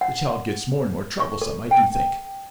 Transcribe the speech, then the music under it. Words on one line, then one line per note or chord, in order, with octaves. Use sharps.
The child gets more and more troublesome, I do think.
F#5
C#6
A4
G5